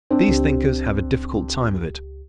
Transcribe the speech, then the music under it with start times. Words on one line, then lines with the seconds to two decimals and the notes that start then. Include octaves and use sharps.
These thinkers have a difficult time of it.
0.11 C4 D4
0.28 C#2 G4